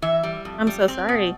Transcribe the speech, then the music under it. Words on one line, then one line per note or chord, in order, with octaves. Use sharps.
I'm so sorry.
E3 E5
G3
F2
G3
C4
B2